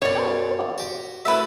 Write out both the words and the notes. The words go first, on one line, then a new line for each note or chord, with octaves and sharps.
Oh, cool.
F#2 B2 C#5 D5
F#4 G4
F#3 A3 E4 B4 E5